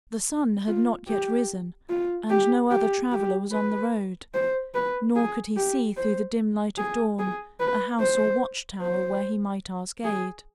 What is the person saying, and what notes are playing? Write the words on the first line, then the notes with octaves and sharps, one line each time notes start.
The sun had not yet risen and no other traveler was on the road, nor could he see through the dim light of dawn a house or watch-tower where he might ask aid.
F4
G4
F4
G4
G4
G4
B4
C5
B4
G#4
G4
C5
G#4
G#4
B4
C5
C5
G#4